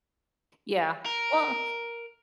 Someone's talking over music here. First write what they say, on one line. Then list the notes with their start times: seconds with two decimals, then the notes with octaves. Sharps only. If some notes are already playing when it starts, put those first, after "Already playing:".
Yeah. Well
1.06 A#4